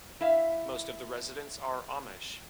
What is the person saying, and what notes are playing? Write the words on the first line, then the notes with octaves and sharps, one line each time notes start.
Most of the residents are Amish.
E4 E5 F5